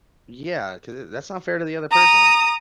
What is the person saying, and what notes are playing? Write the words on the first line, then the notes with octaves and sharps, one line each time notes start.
Yeah, 'cau uh that's unfair to the other person.
A#5 D#6